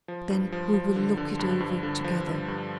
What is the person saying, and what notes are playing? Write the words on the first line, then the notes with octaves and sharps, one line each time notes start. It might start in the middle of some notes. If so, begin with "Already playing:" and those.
Then we will look it over together.
F3
G2
F3
F3
D3
D3
G2
G2
D3
F3
G2
G2